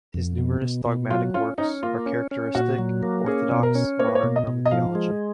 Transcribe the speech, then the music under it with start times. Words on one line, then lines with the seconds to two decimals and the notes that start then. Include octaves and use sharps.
His numerous dogmatic works are characteristic of orthodox modern Roman theology.
0.14 F2
0.38 B2
0.62 B2
0.86 B2
1.10 F#3 F4
1.34 C#4 F4
1.58 C#4 D#4
1.83 A#3 F4
2.06 C#4
2.31 C#4
2.55 A#2 F#4
2.78 F#3
3.03 A#3
3.27 C#4 G#4
3.51 B2
3.63 A#4
3.75 C#4
3.99 A#3 C#5
4.07 B4
4.15 C#5
4.24 B2
4.36 D#5
4.47 B2
4.66 D#5
4.71 F3 F5
4.95 G#3